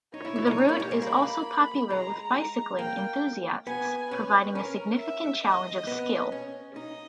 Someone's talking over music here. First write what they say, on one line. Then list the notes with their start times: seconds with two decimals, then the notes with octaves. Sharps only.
The route is also popular with bicycling enthusiasts, providing a significant challenge of skill.
0.14 D#4 C#5
0.25 E4
0.36 E4
0.47 D#4
0.58 C#4
0.69 A#3
0.80 G3
0.91 G#3
1.02 A#3 B5
1.90 G#3 A#5
2.79 A#3 G5
3.67 B3 G#5
4.11 C#4 B4
4.55 C#4 A#4
4.99 E5
5.44 D#5
5.87 B3
6.32 C#4
6.76 D#4 D#5